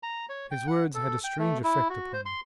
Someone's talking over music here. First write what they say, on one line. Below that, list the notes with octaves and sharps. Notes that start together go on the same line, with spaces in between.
His words had a strange effect upon me.
A#5
C#5
G5
F#5
A4
G5
A3
E4
F#4
C5
C6